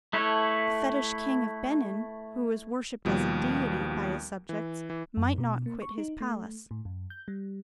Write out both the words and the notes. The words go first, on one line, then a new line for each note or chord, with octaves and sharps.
The fetish king of Benin, who was worshipped as a deity by his subjects, might not quit his palace.
A3 E4 A4 B4 C#5
D#2 B2 F3 G3
E3
E3
F#2
B2
A#3
C#6
D#4
A3
A2
F#2
G6
G3